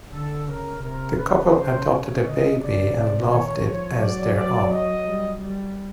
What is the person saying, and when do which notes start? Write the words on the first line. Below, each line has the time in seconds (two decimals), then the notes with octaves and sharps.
The couple adopted a baby and loved it as their own.
0.12 D3 A4
0.47 C#3 A#4
0.82 C3 A#4
1.17 C#3 B4
1.53 C5
1.88 C#5
2.23 D3 D#5
2.59 C#3 D5
2.94 C3
3.30 D#3 C#5
3.65 F3 C#5
4.00 F#3 D5
4.36 D5
4.71 D#5
5.06 G3
5.41 G3